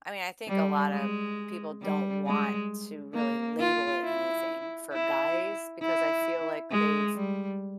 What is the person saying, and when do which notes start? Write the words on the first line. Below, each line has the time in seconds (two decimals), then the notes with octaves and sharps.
I mean, I think a lotta people don't want to really label it anything for guys because I feel like they've,
0.48 G3
0.92 G#3
1.82 G3
2.26 G#3
3.14 A#3
3.60 F4
4.03 E4
4.93 E4
5.82 E4
6.71 G#3
7.16 G3